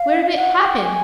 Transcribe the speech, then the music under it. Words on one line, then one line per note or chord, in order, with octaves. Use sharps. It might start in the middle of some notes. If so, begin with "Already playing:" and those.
Where did it happen?
Already playing: F5
F#5
G#5
G5
G#5